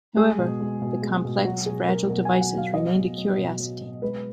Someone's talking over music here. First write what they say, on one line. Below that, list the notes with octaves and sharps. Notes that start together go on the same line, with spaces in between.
However, the complex, fragile devices remained a curiosity.
G#3 G#4
B2
G#3
B2
G#3
B2
F#3 F#4
B2 G#4
F#3 A#4
B2 A#4
G#5
F#3
F#5
B2
F5
F#3 D#5
B2
F#3
B2
F#3
B2
G#3 B4